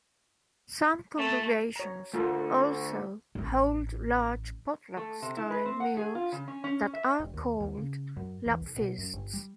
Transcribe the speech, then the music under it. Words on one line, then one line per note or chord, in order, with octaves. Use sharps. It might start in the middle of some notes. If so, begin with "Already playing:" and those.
Some congregations also hold large potluck-style meals that are called Lovefeasts.
A3
C#5 A#5
D2 A3 F4 A#4
A1 C#4
A3
C3
E4
B4
C4
F#5
G#4
F4
C#3
C#4
C#4
E5
E1
D#2
D#2
C#3
F#2
E2
C2
B2
F#2
G1
G3